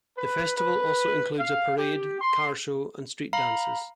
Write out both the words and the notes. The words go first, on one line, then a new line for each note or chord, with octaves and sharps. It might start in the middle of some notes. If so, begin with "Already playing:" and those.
The festival also includes a parade, car show, and street dances.
B4
B4
F5
G4
C6
F5 A#5 B5